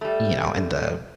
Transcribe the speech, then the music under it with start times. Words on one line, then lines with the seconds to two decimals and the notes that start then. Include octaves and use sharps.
you know, in the
0.01 G3 A3